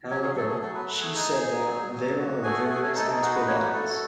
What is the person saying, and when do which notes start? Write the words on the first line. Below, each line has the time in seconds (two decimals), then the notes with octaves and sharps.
However, she said that "there are various astral bodies".
0.10 F#3 C#4 C#5
0.23 G#4
0.36 F#3 A3 A4
0.49 G#4
0.62 F#3 A3 A4
0.75 B3 B4
0.89 A3
0.97 F#5
1.01 G#4 G#5
1.14 D#4 G#4 G#5
1.40 D#4
1.66 F#3
1.91 F#3
2.18 F#4
2.43 A3 G#4 G#5
2.69 A3 G#4 G#5
2.83 C#4 C#5
2.95 A3 D#4 A4
3.08 G#4
3.22 F#4 G#4
3.35 B3 B4
3.47 C#4 F#4 C#5
3.60 B3 B4
3.73 A3 A4